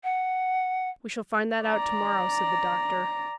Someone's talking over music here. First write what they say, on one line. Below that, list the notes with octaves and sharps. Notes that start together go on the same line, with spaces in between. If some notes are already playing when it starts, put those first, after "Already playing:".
"We shall find that out to-morrow," said the doctor.
F#5
D5 A#5